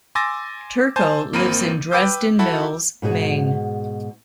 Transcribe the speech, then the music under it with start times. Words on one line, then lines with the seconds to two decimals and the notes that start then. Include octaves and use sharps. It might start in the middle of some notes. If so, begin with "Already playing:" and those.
Turco lives in Dresden Mills, Maine.
0.15 G#5 C6 D6 E6 A6 A#6
0.96 C5 G#5 A5 G6
1.33 G#1 A#3 C4 A#4 B5 D#7
1.91 B4 G5 D6 E6 G6
2.39 E4 F#4 A4 A5 B5
3.02 G#2 B2 F#4 G#4